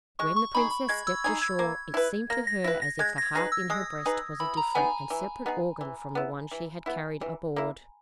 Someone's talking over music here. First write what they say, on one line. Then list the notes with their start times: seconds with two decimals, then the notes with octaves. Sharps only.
When the princess stepped ashore it seemed to her as if the heart in her breast was a different and separate organ from the one she had carried aboard.
0.19 G#3 C#6
0.36 C#6
0.55 D#4 G#4 B5
0.71 B5
0.89 G#3 G#6
1.07 E6
1.24 D#4 G#4 G#6
1.42 G#6
1.59 A#3
1.94 E4 B4
2.30 A#3 A#6
2.47 A#6
2.64 E4 B4 A#6
2.82 A#6
2.99 G#3 G#6
3.18 A#6
3.35 D#4 G#4 B4 A#6
3.52 E6
3.70 G#3 D#6
4.06 D#4 G#4 B4
4.40 E3 B5
4.57 A#5
4.75 B3 D#4 G#4 G#5
5.10 E3
5.46 B3 D#4 G#4
5.81 E3
6.15 B3 E4
6.51 E3
6.86 B3 E4
7.21 E3
7.56 A#3 E4